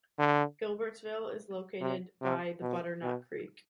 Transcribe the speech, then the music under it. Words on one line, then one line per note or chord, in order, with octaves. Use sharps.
Gilbertsville is located by the Butternut Creek.
D3
C3
C3
B2
B2